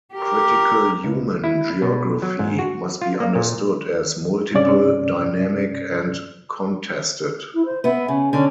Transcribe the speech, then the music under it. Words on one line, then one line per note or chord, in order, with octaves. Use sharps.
Critical human geography must be understood as multiple, dynamic, and contested.
G4 A#4
C#2
E4
B2
F#3
G#2
F#4
F4
A#3
A#2
G2 C3 C#4 D5
E4
C5
B3 B4 E5
C#3 G#5
D3 C#4 D4